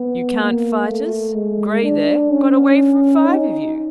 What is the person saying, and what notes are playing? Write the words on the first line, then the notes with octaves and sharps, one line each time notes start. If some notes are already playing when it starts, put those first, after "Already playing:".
You can't fight us--Gray, there, got away from five of you.
Already playing: B3
A#3
A3
G#3
D4
C#4
D#4